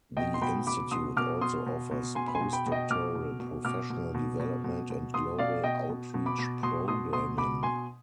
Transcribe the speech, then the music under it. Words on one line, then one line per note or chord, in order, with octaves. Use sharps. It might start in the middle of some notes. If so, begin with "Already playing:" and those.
The Institute also offers Post Doctoral, professional development and global outreach programming.
B2 D#5 G5
C6
B2 G5 B5
B2 B5 D6
B2 C6 D#6
B2 D6 F6
B2 C6 D#6
B2
B2
B2 G#5 C6
B5
G#5 C6
B2
G5 B5
B2
D#5 G5
B2 D6 F6
B2
B2
B2 D6 F6
B2
B2
B2
B2
B2
B2 C6 D#6
B2 D5 F5
B2 D#5 G5
B2
B2
B5 D6
B2
B2 C6 D#6
B2 C6 D#6
B2 C6 D#6
B2 B5 D6
B2 G#5 C6